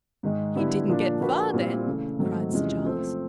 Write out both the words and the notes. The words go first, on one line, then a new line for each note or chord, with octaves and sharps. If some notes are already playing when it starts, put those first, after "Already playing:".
"He didn't get far, then!" cried Sir Charles.
G#2 D#3 G#3
D3 G3 B3 E4
A#2 F3 A#3 D4
F3 A#3 D4 F#4 B4
A#2 G3 C4 E4
C#3 E3 A3
G#2 D#3 F#3 A3 C4
E2 C3 F3 G#3 C#4
F3 A3 C4